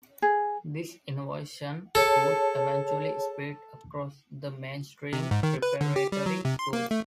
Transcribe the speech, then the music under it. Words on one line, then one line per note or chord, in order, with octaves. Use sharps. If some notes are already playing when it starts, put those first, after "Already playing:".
This innovation would eventually spread across the mainstream preparatory schools.
G#4
G#4 A4 C#5 A5
C3
G#2
D#3
B4
D3
G4
G3
F#3
C3
C6
A#3
A3